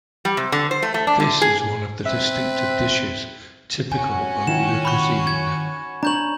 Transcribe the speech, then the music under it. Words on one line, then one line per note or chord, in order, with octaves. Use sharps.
This is one of the distinctive dishes typical of Lu Cuisine.
G3
C3
D3
C5
A3
A3
D4
D3
G#4
C4 B4 E5
C#4 F#4 G#5
D#3 E4 F4 E7
B5 C#6
G#6
D4 C#5 A#5 G6 F#7